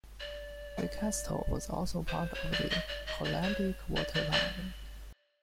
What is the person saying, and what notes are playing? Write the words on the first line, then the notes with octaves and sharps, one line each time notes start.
The Castle was also part of the Hollandic Water Line.
D5
C5
C#5
D5
D#5
D5
D#5
D5
C#5
D5
D5
D5